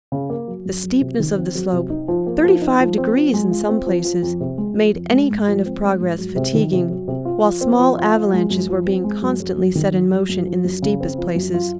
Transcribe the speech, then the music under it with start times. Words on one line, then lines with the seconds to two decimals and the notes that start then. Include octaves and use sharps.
The steepness of the slope--thirty-five degrees in some places--made any kind of progress fatiguing, while small avalanches were being constantly set in motion in the steepest places.
0.12 C#3
0.30 A#3
0.48 F#3
0.65 F#2
0.83 F#3
1.01 C3
1.20 D#3
1.37 C4
1.55 F#3
1.73 C3
1.90 D#4
2.08 F3
2.27 A#3
2.44 F3
2.62 D#4
2.80 F3
2.98 C4
3.16 F3
3.34 G#3
3.51 F4
3.69 C4
3.86 F3
4.05 F3
4.23 F2
4.40 C3
4.58 G#3
4.76 F3
4.93 F2
5.11 G#3
5.29 G#2
5.48 F3
5.66 C4
5.83 G#3
6.00 G#2
6.19 F#3
6.36 C3
6.54 D#3
6.73 C3
6.90 F#3
7.08 C3
7.25 F4
7.43 F3
7.61 C4
7.79 F3
7.98 F4
8.15 F3
8.33 G#3
8.50 F#2
8.69 F3
8.86 C4
9.04 G#3
9.22 F#2
9.40 F#3
9.58 F#2
9.75 D#3
9.93 F#2
10.12 F#3
10.29 F#2
10.46 F3
10.65 F#2
10.82 C#3
11.00 C4
11.18 F3
11.36 F#2
11.54 F4